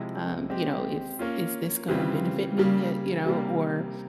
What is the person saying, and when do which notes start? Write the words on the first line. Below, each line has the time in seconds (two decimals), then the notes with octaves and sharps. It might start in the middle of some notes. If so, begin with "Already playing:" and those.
um, you know, if "Is this gonna benefit me," eh, you know, or
Already playing: C3 F3 G#3 E4
0.50 G#3 C4 G4
1.19 A#3 C#4 F4
1.88 C#3 E3 G3 C4 F4
2.58 C#3 G3 A#3
3.26 C3 G3 A#3